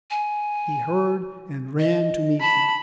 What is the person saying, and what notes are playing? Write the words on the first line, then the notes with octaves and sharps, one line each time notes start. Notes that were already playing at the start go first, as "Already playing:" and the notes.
He heard, and ran to meet them.
G#5
D#5
A5 B5